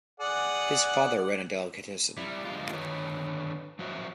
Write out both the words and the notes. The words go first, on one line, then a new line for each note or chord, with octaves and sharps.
His father ran a delicatessen.
G#4 D5 F#5
G3 E4
D3 F3 G#3 F4
D3 D#3 B4 C#5
F3 F#3 F#4 C5 C#5 E5